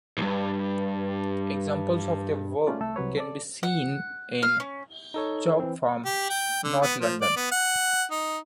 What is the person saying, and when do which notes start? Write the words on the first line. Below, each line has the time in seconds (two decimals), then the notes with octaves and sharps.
Examples of their work can be seen in Chalk Farm, North London.
0.18 B1 G2
2.67 A3 C#4 F4 D5
2.80 C2 A3 A4 E6
2.96 C2 C3 F#3 B4 C#5
3.18 A4 D5
3.63 F#5
4.43 F5
4.60 C#4
5.14 D#4 A4 C#5
5.60 E3 C4
6.05 G4
6.30 G5
6.64 D3
6.82 B3
7.01 F3
7.21 D5
7.36 B3
7.52 F#5
8.11 D#4